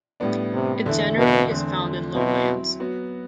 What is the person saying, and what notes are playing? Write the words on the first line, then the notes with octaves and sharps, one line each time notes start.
It generally is found in lowlands.
A2 G3 B3 D4
C3
E2 D3 A3 E4
B2
E2 D3 A3 C4
B2 F#3 C4 E4
F#3 B3 F#4